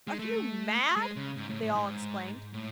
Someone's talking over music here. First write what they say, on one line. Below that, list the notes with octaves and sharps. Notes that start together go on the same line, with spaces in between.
'Are you mad?' they all exclaimed.
G#3
A3
G#3
C#3
G#2
A2
A2
G#2
A2